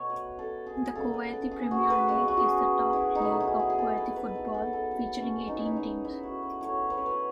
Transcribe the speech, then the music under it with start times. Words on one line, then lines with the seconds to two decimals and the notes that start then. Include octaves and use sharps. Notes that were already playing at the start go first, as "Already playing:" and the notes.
The Kuwaiti Premier League is the top league of Kuwaiti football, featuring eighteen teams.
Already playing: B2 A3 C#5
0.10 B4
0.39 A4
0.66 G#4
0.95 C#3 G#3 B3 A4
1.14 B4
1.33 A4
1.51 G#4
1.71 F#4
1.90 B4
2.08 C#3 G#3 B3 F#4
2.28 F#4
2.37 G#4
2.93 E4
3.15 D#4
3.22 B2 F#3 A3 E4
3.40 G#4
3.59 G#4
3.70 G#4
3.79 A4
3.98 B4
4.16 B4
4.34 D#3 F#3 B3 B4
4.54 A4
4.73 A4
4.91 A4
5.20 C#4
5.48 D#3 G#3 B3 D#4
5.57 E4
5.66 D#4
5.76 D#4
6.05 E4
6.23 F#4
6.43 B4
6.61 A2 F#3 A3 C#5
6.90 B4
6.97 C#5
7.06 B4